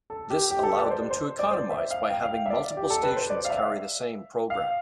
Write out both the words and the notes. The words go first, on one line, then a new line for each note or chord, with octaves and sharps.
This allowed them to economize by having multiple stations carry the same program.
A4
G4
G4
A4
B4
D5
C5
C5
D5
C5
E5
F5
G5
F5
E5
D5
G4
A4
B4
C5
D5
F5
E5
F5